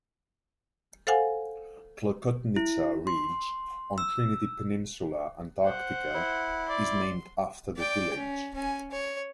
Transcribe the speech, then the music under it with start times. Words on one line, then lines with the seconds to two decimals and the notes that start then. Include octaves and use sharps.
Klokotnitsa Ridge on Trinity Peninsula, Antarctica is named after the village.
1.07 A4 C5 F5 F#5 G#5
2.56 E4
3.07 C6
3.98 E6
5.63 C5 F#5
6.14 E4
6.69 D5 C6
7.77 D5 G5
8.16 C#4
8.55 C#4 G#5
8.91 C#5